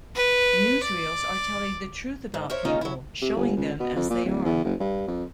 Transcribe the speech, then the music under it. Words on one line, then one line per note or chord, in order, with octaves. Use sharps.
Newsreels are telling the truth about people, showing them as they are.
B4
D5
G#2
A#4 C5 C#5 E5
D#3 G#3 A#3 C#4 D#4 F4
F#3 E4
C3
G1
C#2
B2
F2
A#2
D1
E2
F#1
G2
F2